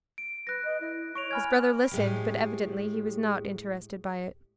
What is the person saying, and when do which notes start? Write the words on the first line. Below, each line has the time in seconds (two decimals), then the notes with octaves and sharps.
His brother listened, but evidently he was not interested by it.
0.18 D7
0.47 B4 F#6 A#6
0.64 D#5
0.80 E4
1.15 C#5 C#6 D7 F7
1.31 G#5 B5 F6 G#6
1.91 A2 G#3 G4